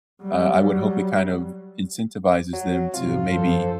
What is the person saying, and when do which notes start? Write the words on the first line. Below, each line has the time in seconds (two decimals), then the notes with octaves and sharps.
uh, I would hope it kind of incentivizes them to, maybe,
0.22 F#3 G3
2.53 F#3
2.94 G#2 C3 F#3 F4
3.32 F#2 F3 A4 C5